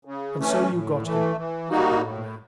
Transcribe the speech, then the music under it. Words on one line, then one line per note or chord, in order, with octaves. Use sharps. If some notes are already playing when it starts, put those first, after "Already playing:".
'And so you got him!' said the old man.
C#3
E3 A3 C#4
A2
E3 A3
E3
G3 A#3 D#4 F#4
A2